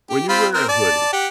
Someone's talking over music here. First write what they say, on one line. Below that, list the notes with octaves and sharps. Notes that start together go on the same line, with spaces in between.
when you wear a hoodie
G4
C4 F4 B5
C4 A#4
D5 A5
G4 F#5